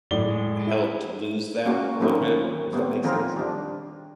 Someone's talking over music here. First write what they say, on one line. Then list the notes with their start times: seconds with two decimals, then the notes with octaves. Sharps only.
helped lose that a little bit, if that makes sense
0.11 F#2 A2 D5 G7
0.24 G#3
0.67 E4
1.65 G#3 A#3 C#4 F#4
2.00 F#3 A3 A#3 C4 C#4 D#4
2.21 D#3 C#4
2.73 G3 B3 C4
3.03 D#3 F3 C4 F4 G#4 A#4
3.36 G3 D4